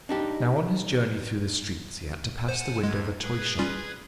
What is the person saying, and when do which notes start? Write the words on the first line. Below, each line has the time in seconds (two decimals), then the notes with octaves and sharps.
Now on his journey through the streets he had to pass the window of a toy-shop.
0.09 D4 D#4 G4
2.49 C5 F#5 G#5 A5
2.83 E2 G#3 G#6
3.22 G#4 B4 G#6
3.59 G3 C#4 F4